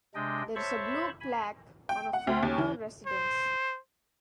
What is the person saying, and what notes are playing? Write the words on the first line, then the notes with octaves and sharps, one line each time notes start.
There is a blue plaque on a former residence.
C3 G#3 D4 D#5 G5
C5 C#5 E5 A5 B5 C#6
G#5 B5
G5
F#5
D2
D#2
E3
C5